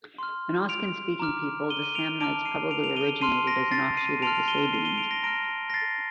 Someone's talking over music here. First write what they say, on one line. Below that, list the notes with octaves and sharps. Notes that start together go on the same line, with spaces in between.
An Oscan-speaking people, the Samnites probably originated as an offshoot of the Sabines.
C6 F6
D7 F7
A#5 D6 F6
D#7 G7
D#7
D7 F7
A5 D6 F6 D7 F7
C7 D#7
D7 F7
D7 F7
D#7 G7
A5 C6 F6 C7 D#7
A#6 D7
A6 C7
C7 D#7
A5 C6 F6 D7 F7
D7 F7
D#7 G7
C7 D#7
D#7 G7
D7 F7
A#6 D7
A#5 F6 A#6 D7
A#6
A6 C7